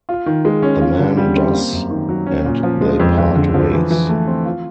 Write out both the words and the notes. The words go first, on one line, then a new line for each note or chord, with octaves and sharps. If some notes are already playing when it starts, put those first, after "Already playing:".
The man does and they part ways.
F4
D#3
G#3
C#4
F4
D3
G3
C4
A#3
F#2
D#3
F#3
C#4
A#2
F3
G#3
F2
F2
D3
F3
E3
E3
A3
C4
F4